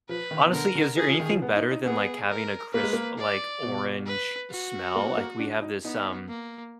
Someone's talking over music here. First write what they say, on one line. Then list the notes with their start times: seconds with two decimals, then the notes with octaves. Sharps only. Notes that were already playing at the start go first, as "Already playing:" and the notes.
honestly, is there anything better than like having a crisp, like orange smell? Like we have this um,
0.09 F3 B4
0.31 D#3
0.45 B2
0.53 D3 A#4
0.75 D3
0.97 F3 G#4
1.08 F3
1.20 D#3
1.30 F3
1.42 B3
1.56 D#4
1.71 D#4
1.85 B3 G#4
2.30 A#4
2.74 A#3 B4
2.83 G#3
2.93 A#3
3.18 D5
3.63 B2
4.07 B4
4.51 F#4
4.96 A#3
5.06 B3
5.17 A#3
5.39 D4
5.62 D#4
5.83 B3 D#4
6.29 A#3